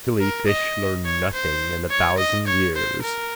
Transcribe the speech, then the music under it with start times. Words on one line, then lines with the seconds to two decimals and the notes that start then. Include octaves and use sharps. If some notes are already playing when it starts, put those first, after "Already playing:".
Silly fish learn nothing in a thousand years.
0.20 A#4
0.48 D#5
1.05 C#5
1.33 C5
1.91 C#5
2.18 D#5
2.47 C#5
2.76 C5
3.03 A#4